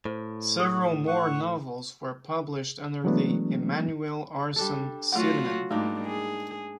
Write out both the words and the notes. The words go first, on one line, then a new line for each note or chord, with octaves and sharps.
Several more novels were published under the Emmanuelle Arsan pseudonym.
A2 C5
G4 D#6 E6
F#5 C#6
E3 F#3 G#3 A3 B3 D4
G3 D4 A4
F#3 A3 F4 F#4 F#5
G#2 G3 A3 A#3 D4 D#4
G#4